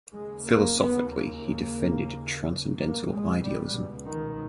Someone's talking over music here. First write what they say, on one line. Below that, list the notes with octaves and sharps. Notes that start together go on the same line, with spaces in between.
Philosophically he defended transcendental idealism.
D#2 C#3 G#3
A#3
B3
A#3
C#2 B2 A#3
G#3
G3
D#3